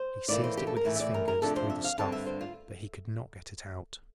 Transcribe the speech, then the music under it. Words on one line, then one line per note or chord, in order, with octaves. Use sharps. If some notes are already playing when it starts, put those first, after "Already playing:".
He seized it with his fingers through the stuff, but he could not get it out.
Already playing: C5
A2 E3 A#3 D5
C5
G4
A4
A#4
A2 E3 A3
E5
D5
A#4
A#4
F2 C3 F3 A3 D4 A4
C5
E5
F5
G2 D3 G3 C4 A5
E5
C5
F4